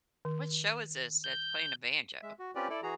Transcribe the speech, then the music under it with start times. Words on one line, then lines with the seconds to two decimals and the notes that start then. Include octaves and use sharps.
Which show is this that's playing a banjo?
0.25 D#3
1.24 G6
2.23 G#3 E5
2.39 F#4
2.55 C4 C#4 F4 G4 B4 D5
2.70 E4 A4 D5
2.83 E3 F#4 G#4 A#5